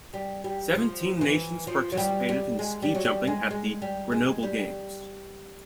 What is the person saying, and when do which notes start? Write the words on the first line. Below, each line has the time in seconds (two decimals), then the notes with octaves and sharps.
Seventeen nations participated in ski jumping at the Grenoble Games.
0.14 G3
0.44 G3
0.75 F3
1.21 E3
1.67 F3
1.92 F#3
1.97 G3
2.29 G3
2.59 G#3
2.82 G3
2.95 F#3
3.05 G3
3.27 G#3
3.51 G#3
3.82 G3
4.12 G#3
4.43 G3